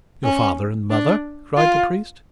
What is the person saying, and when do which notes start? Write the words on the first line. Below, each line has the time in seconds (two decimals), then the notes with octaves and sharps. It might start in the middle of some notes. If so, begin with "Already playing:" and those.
"Your father and mother?" cried the priest.
0.24 C#4
0.90 D4
1.57 F4